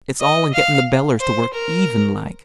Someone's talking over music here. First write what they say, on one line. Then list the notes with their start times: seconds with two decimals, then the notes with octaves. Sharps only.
It's all in gettin' the bellers to work even like.
0.21 D#5
0.53 F5
1.20 C5
1.53 A#4